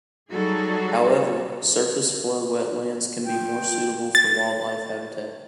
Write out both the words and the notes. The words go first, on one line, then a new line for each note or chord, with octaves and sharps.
However, surface flow wetlands can be more suitable for wildlife habitat.
F#3 G3 D#4 F#4 G#4 A4
F4 G5
A6